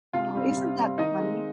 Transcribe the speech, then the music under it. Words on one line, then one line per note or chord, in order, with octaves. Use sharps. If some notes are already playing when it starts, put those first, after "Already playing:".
Oh, isn't that funny?
C3 F4 F5
G3 C4
C3
G3 C4
D#3 D#4 D#5
G#3 C4